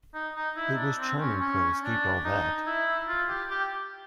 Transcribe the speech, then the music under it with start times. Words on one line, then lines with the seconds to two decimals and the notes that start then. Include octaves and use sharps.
It was charming to have escaped all that!
0.14 D#4
0.35 D#4
0.56 E4
0.77 D4
0.98 C4
1.19 C#4
1.40 C#4
1.83 D4
2.24 D#4
2.67 E4
3.08 F4
3.29 G4
3.50 G4